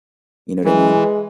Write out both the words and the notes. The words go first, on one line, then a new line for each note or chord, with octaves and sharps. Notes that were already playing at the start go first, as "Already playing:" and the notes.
you know what I mean?
E3 G#3